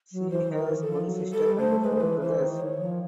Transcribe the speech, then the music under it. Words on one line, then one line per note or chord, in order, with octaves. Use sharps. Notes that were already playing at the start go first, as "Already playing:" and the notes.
She has one sister and four brothers.
F#3
E3 C5
D#3
A#4
E3
A4
F3
F#3
G3 A4
A3 C5
G#3 B4
C5
E3 B4
E3 C5
D#3
C5
C#5
F3